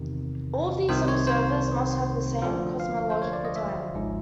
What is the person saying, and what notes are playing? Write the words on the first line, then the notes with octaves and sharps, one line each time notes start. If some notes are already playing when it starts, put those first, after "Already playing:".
All of these observers must have the same cosmological time.
Already playing: E2 C3 D#3
C2 C3 D#3 C5
C#5
C5
D2 D3 F3
F5
C5
C#5
D5
D#5
E5
G#1 G#2 F3